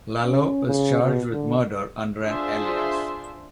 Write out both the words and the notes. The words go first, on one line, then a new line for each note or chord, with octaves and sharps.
Lalo is charged with murder under an alias.
C#4
C#3
B2
D3
D4 F4 G#4 C5 E5 C6